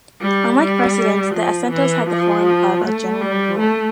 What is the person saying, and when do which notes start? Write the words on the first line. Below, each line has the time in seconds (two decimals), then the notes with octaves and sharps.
Unlike precedents, the assentos had the form of a general rule.
0.22 G3
0.60 G3
1.35 F3
1.72 E3
2.09 F3
2.85 A3
3.22 G3
3.59 A3